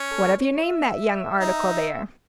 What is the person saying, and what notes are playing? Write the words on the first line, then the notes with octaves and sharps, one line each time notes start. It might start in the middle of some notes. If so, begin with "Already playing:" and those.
"What have you named that young article there?"
Already playing: C#4
A4
C#5
E5
D#4